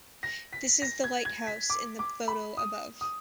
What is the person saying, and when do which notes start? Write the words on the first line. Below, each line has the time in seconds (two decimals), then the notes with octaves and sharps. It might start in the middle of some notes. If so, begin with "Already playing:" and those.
This is the lighthouse in the photo above.
0.23 A#6
0.53 B6
0.82 A#6
1.04 G#6
1.25 G#6
1.47 B6
1.70 D6
1.99 D6
2.28 B5
2.57 D#6
3.01 D#6